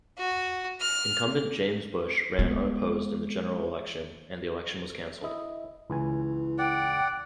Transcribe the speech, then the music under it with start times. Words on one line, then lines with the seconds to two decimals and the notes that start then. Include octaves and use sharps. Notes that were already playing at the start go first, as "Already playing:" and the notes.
Incumbent James Bush ran unopposed in the general election and the election was canceled.
0.18 F#4
0.80 F6
2.39 G#3 B3
5.23 E4 D#5
5.90 C#2 E3 G#5
6.58 D5 F#5 G5